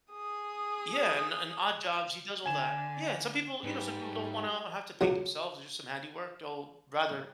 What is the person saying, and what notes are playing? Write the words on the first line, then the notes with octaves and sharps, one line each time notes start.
Yeah, and and odd jobs, he does all that. Yeah, and some people, you know some people don't wanna have to paint themselves or do some handiwork. They'll rather
G#4 D#6
D3 G#5 E7
G#2 G3 D#4 B4
C#2 C#3 F#3